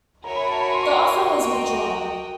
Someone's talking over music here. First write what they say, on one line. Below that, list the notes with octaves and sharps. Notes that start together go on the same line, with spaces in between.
The offer was withdrawn.
F#4 A#4 C#5 E5 G#5 A#5
B5
A5
B5
C6
C#6
C6
C#6
C6
F#4 A#4 D#5 G5 C#6
C6
C#6
C6
C#6
D6